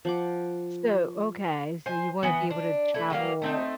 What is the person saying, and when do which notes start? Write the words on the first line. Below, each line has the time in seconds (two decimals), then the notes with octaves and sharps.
So, okay, so you wanna be able to travel
0.05 F3 F#5 D6
1.86 C5 G#5
2.23 E3 B3
2.50 D4
2.94 A3 E4
3.10 F#3 G3 A#3 F5
3.42 A3 C4 D#4